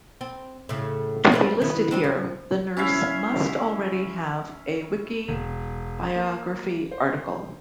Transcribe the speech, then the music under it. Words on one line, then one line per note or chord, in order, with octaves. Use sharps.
To be listed here, the nurse must already have a Wiki biography article.
C4
A2 C#3
G3 C4 B4
D#3 B3 E4
G3 C4 D4
F3
C#4 E4 E5 F5
E1
A#3
C5